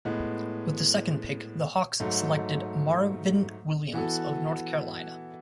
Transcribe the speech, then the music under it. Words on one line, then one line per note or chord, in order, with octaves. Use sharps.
With the second pick, the Hawks selected Marvin Williams of North Carolina.
A2 G#3 B3
G#2 F#3 A3
E3 B3 F#4 A4